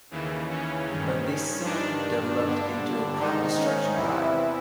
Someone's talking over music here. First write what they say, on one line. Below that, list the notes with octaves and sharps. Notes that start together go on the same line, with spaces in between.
But this soon developed into a crop destruction drive.
D#2 C#3 E3
C#4
G2 D#3
G2 D#3 D4
G2 D3
G#2 D#3 D#4
C#4
E2 C3 E3 E4